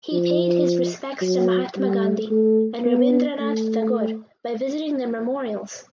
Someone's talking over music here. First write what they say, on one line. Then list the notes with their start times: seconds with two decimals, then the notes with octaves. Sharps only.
He paid his respects to Mahatma Gandhi and Rabindranath Tagore by visiting their memorials.
0.12 F3
1.21 F#3
1.77 G3
2.31 A3
2.85 B3
3.40 A3